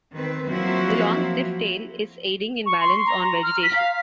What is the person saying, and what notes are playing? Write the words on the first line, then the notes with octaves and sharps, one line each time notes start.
The long stiff tail is aiding in balance on vegetation.
D#3 C4 B4
F3 F#3 A#3 C4 E4 F#4
C#6
C6
A#5
F6
B6
F5